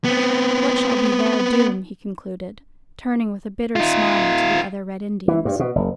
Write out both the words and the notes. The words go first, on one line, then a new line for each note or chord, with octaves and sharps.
What shall be their doom?' he concluded, turning with a bitter smile to the other Red Indians.
B3 C4
D#4 F4
E3
G2
B2
F#1